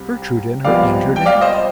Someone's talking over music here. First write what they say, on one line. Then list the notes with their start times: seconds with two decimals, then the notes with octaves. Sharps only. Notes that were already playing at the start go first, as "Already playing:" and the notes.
Gertrude and her injured ankle!
Already playing: C2 G3 C4
0.64 C2 C3 F3 G#3 B3 D5 F5
1.16 G5
1.26 D5 F5
1.41 C5 D#5